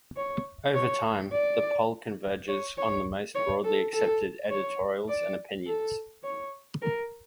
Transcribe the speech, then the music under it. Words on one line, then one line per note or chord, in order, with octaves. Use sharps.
Overtime, the poll converges on the most broadly accepted editorials and opinions.
C#5
C#5
D5
C#5
C#5
C#5
A4
A4
C#5
D5
A4
C#5
A#4